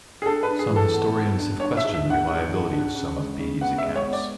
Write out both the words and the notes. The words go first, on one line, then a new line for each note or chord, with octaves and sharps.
Some historians have questioned the reliability of some of Bede's accounts.
G#4
D4 A4
B4
D4
G#4
E3
A4
B3
B3
D4
D4 C#5
E5
G#2
E5
D4 F#5
G#2 F#5
G#2
D4
C#3
G#3
C#3
B3 F#5
E5
G#3
C#5
B3
D5